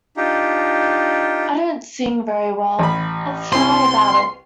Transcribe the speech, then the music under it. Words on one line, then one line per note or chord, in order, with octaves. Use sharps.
I don't sing very well, I was shy about it.
D4 D#4 F4 G4
A1 B5
C2 E4 C5 C6